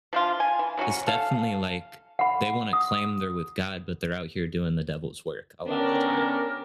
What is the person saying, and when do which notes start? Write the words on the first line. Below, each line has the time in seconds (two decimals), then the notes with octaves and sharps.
It's definitely, like, they want to claim they're with God, but they're out here doing the devil's work a lot of the time,
0.13 F3 D4 F4
0.40 G#5
0.59 E3
0.77 C3 F#3 C#4 F#4
1.07 A4 F5
2.19 F#5 B5
2.73 D#6
5.67 D3 B3 C#4 D4 G4 A#4